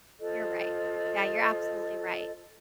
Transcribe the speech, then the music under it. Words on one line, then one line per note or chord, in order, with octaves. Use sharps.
You're right. Yeah, you're absolutely right.
F4 A4 C5 D#5